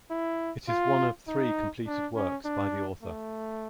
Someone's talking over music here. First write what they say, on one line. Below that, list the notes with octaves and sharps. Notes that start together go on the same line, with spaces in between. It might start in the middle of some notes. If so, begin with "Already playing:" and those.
It is one of three completed works by the author.
E4
F4
D#4
D4
C#4
D4
A3